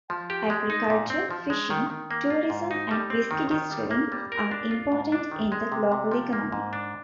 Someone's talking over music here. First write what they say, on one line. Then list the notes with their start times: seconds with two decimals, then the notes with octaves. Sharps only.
Agriculture, fishing, tourism and whisky distilling are important in the local economy.
0.10 F3
0.30 G4
0.50 G#3
0.70 D#4
0.90 A#2
1.10 C4
1.31 F3
1.50 G#3
1.70 D#3
1.90 D#3
2.11 A#3
2.30 F4
2.50 G#2
2.71 D#4
2.91 G3
3.10 C4
3.31 D#3
3.51 D#3
3.71 G3
3.91 A#3
4.12 G3
4.32 A#4
4.51 D4
4.71 F4
4.92 G#2
5.12 D4
5.31 D#3
5.52 G#3
5.72 C3
5.92 C3
6.11 F3
6.33 A#3
6.52 G#2
6.73 D4